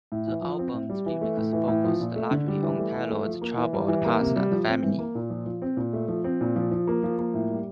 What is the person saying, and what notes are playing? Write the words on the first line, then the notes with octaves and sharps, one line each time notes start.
The album's lyrics focused largely on Taylor's troubled past and family.
A2
E3
F3
C4
A2
G3
E3
A3
A2
E3
A2
F3
A#2
A3
D3
G3
E3
A3
E3
A3
F3
A#3
E3
G3
E3
A#3
C3
G3
F3
C4
E3
A#3
A#2
F3
F3
C4
A#2
A3
F3
C4
A#2
F3
F3
A#3
F3
A#3
A2
G3